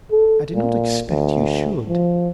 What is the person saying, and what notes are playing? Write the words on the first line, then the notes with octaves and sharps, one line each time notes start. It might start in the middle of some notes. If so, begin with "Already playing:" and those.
"I do not expect you should."
A4
A#2
D2
F3